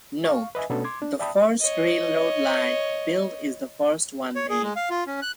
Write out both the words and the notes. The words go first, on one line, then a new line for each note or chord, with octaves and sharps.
Note: The first railroad line built is the first one named.
F5 C#6
B4 D#5 E5 G#5
B2 A3 B3 C#4 D4 A4
C6 D6 G#6
D4
D5 E5 G5 A5 B5 D#6
C#5 D#5
C#5
G#4
G#3
F5
F4
C#4
F#6